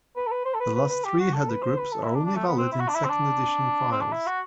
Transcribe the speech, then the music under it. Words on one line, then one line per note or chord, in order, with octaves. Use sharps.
The last three header groups are only valid in second edition files.
B4
A4
B4
C5
A4
B4
B4
B4
G4
F#4
A4
B4
C5
B4
A4
E4
D4
D4
A3
B3
C4
E4
F#4
D4
E4
C4
D4
C4
D4
E4
F#4